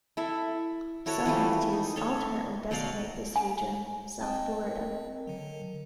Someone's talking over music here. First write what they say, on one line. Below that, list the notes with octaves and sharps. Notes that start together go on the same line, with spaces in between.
Some entities alternately designate this region "South Florida".
E4 A4 E5
E4 F#4 A4 C#5
E3 F3 G3 A3
D#4
A4 C#5
B2 F#3 D5 F5
G#5
C4 D#5 G5 A5
A#4
D3 F#3